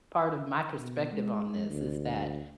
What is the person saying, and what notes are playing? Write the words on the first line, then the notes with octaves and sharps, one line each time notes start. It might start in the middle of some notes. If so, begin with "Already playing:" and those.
part of my perspective on this is that,
B2
G#3
D2